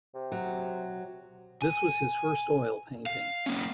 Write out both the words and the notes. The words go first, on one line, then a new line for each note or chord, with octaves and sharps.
This was his first oil painting.
C3
F#3
G#5
F5
A#3 C#4